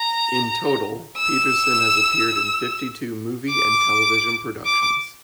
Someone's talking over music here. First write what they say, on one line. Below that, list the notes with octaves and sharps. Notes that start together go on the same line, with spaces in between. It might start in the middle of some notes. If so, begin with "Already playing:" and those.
In total, Peterson has appeared in fifty-two movie and television productions.
Already playing: A#5
E6
D6
D6